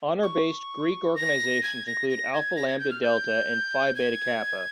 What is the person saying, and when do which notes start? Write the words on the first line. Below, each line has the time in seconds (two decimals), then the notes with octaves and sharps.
Honor-based Greek organizations include Alpha Lambda Delta and Phi Beta Kappa.
0.23 C#6
1.16 A#6
1.63 G#6
1.87 A#6
2.09 A#6
2.33 G#6
2.56 A#6
2.68 G#6
2.79 G6
2.90 F6
3.03 G6
3.95 G#6